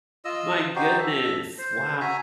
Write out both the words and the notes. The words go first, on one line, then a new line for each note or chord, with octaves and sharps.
My goodness. Wow.
F4 D#5 E6
D#4 F#4 G4 C5
A4 E5
C5
F#4 E5 G#5 A#5